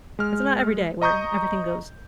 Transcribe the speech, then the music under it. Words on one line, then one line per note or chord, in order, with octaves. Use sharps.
It's not every day where everything goes
G#3 F6
D#5 A#5 C#6 D#6 G6